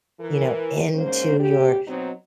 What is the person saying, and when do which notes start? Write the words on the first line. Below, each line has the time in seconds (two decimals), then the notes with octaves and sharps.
you know, into your
0.20 E3 A#4
0.94 G#2 A#3 C#4 C5
1.39 D2 C#3 G4
1.87 B2 F#3 C4 D#4